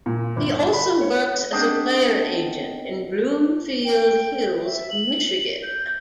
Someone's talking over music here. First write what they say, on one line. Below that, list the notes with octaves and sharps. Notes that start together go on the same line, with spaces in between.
He also works as a player agent in Bloomfield Hills, Michigan.
A#2
G1
B5
C#5
B3 C4 D4 D#4 G#4 C5
G5
E5
F#7
G6